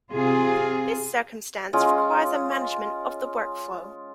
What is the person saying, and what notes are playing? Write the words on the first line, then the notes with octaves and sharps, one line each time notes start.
This circumstance requires a management of the workflow.
C3 F4 G#4
G#3 C#4 F4